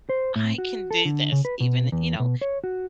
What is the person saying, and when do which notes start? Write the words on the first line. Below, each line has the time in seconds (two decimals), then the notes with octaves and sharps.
I can do this, even" you know,
0.09 C5
0.36 A2
0.58 F#4
0.91 A4
1.05 D3
1.32 C#3
1.45 B4
1.60 B2
1.92 E2
2.20 B2
2.41 C#5
2.64 F#4